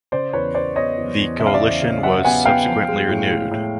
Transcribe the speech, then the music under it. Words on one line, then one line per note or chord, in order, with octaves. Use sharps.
The coalition was subsequently renewed.
C#3 C5 D5
E2 B4 C#5
B3 C5 D5
B3 C#5 D#5
E2
E2
C#3 E5
F5
D5 E5
E2
C#3
F#3 E5 F#5
B3 F#5 G#5
B3 F5 G5
F3
G#3
A2
G#3
A2